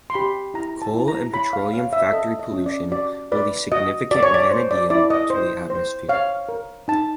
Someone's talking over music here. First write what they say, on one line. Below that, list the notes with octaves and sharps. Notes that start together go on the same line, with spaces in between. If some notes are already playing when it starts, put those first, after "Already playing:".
Coal and petroleum factory pollution release significant vanadium to the atmosphere.
C6
G4 B5
E4 A#5
A5
E4
A#5
C#5 B5
F5
C#5 F5
E5
A4 D#5
D#5
C#4
D5
F#4 D5
B4 D5
F#4 D#5
F#4 D5
C#5
D5
C5
D5
E4 D5
D#5
C5
C5
C#5 F5
A#4
D#4 A5